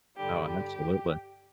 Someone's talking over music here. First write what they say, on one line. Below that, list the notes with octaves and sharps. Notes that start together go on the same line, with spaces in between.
No, and absolutely.
G2 D3 G3 G4
G4